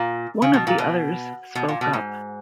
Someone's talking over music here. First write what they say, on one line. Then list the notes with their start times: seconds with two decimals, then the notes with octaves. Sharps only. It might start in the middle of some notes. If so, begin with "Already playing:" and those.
One of the others spoke up.
Already playing: A#2
0.42 C#3
0.53 B2
0.67 A#2
0.78 B2
1.55 B2
1.68 A#2
1.81 B2
1.93 G#2